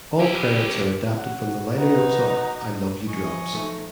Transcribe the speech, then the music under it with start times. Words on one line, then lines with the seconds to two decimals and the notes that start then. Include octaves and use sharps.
All credits are adapted from the liner notes of "I Love You Drops".
0.20 E4 G4
1.17 F#4
1.78 D#4 F#4 B4
3.08 F3 D#5 G#5 C#6
3.53 B1 A3 D#4